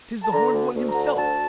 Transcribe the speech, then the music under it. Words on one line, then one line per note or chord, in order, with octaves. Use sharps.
'Tis the Horned One himself!
A5
D3 A#5
D2
D2
A#5
D3
D2 A5